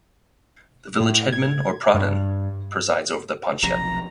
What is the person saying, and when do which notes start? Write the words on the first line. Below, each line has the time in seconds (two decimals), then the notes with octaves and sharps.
The village headman or pradhan presides over the panchayat.
1.00 A2
1.32 G#6
1.94 G2
3.63 F1 B1 F2 A#5